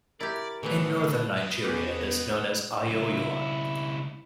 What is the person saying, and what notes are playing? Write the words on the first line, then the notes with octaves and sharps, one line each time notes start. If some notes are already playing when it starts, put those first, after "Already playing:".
In Northern Nigeria it is known as "Ayoyo".
E4 G4 A#4 D5
A2 D3 E3 F#3 B3
B4 D#5
E2 B3 C#4 G4
C#2 E4